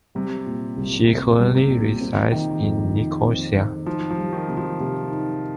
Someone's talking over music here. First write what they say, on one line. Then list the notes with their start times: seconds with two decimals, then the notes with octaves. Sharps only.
She currently resides in Nicosia.
0.15 C3 G3
0.46 A#2
0.77 C2
1.08 C3 A#3
1.39 G3
1.55 C3
1.70 A#2
2.01 C4
2.32 D#3
2.63 F2
2.94 D#4
3.25 C4
3.56 D#3
3.86 F3 D#4
4.10 F3
4.17 G3
4.33 D#3
4.49 C3
4.57 F3
4.80 C3
5.11 D#4